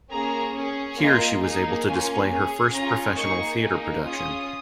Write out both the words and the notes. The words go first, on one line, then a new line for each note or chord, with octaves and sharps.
Here she was able to display her first professional theatre production.
A#3 C#4 G#4 A#5
C#4 G#4
A#3 F4 G#4 D#5
A#3 D#4 G#4
A#3 C#4 F4 G#5
C#4 G#4
C#4 F4 G#4 A#5
A#3 D#4 G#4 C#6
A#3 D#4 G#4
C#4 F4 G#4 D#6